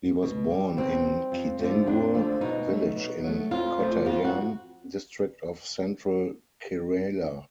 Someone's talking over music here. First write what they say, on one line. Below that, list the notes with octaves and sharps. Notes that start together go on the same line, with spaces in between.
He was born in Kidangur village in Kottayam district of central Kerala.
B2
G3
B2 C4
G3
F2
D3 F3 A3
F2 D4
D3 F3 A3
B2 D#4
F#3 A3
B2
F#3 A3
F2 F4
C3 F3 A3
F2 F4
F#4